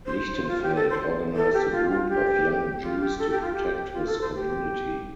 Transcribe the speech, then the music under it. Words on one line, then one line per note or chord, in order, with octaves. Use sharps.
Lichtenfeld organized a group of young Jews to protect his community.
C5
C5
F4
G4
A4
C5
A4
G4
F4
F4
G4
F4
G4
A4
G4
F4
G4
F4
A4
C5
G4